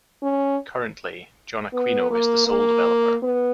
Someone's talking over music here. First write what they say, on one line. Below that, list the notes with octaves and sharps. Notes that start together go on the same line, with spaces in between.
Currently, Jon Aquino is the sole developer.
C#4
B3
A#3
A#3
B3